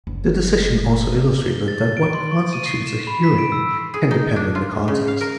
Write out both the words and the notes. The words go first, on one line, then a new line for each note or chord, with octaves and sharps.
The decision also illustrated that what constitutes a "hearing" can depend on the context.
F#1
G7
A6
D7
C6
C#6
D#7
C7
E7
B5
B6
D7
E6
G#4
D#4
D4
F4
C#3
F5
A#4